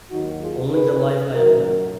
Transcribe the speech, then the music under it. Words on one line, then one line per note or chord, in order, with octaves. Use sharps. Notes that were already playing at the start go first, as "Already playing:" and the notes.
Only the life I have lived.
D#2 D#3 F#3 D#4 F#4
F4 G#4
G#4 B4
F#2 D#3 F#3 F#4 A#4